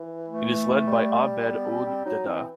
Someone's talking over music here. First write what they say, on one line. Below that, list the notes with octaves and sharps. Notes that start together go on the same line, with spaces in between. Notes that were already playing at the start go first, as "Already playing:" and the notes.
It is led by Ahmed Ould Daddah.
Already playing: E3
A3
G3
B3
C4
C4
F#3 D#4
E3 C4